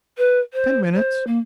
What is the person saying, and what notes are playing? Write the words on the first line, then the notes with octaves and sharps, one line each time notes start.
"Ten minutes."
B4
C5
C5
A#3